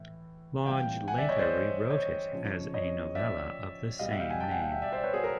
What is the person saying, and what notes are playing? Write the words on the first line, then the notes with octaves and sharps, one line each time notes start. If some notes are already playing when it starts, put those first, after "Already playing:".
Lodge later rewrote it as a novella of the same name.
Already playing: A2 E3
C3 E3 G3 F5 G5
F#5 G#5
D5 E5
C#5 D#5
C5 D5
C#5 D#5
C#3 F3
C#5 D#5
D5 E5
B2 G3 D#5 F5
E5 F#5
F5 G5
F#5 G#5
G5 A5
F#5 G#5
F5 G5
E5 F#5
D5 E5
C5 D5
B4 C#5
F#4 G#4
A#4